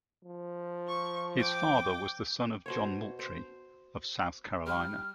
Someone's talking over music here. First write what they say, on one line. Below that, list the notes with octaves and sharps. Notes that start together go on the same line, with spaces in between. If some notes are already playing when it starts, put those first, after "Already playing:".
His father was the son of John Moultrie of South Carolina.
F3
C#6
G5 D6
B2 C5 C#5
C5
G3 F6